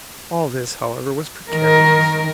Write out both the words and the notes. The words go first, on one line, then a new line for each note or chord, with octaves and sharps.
All this, however, was precarious.
D#3 A#4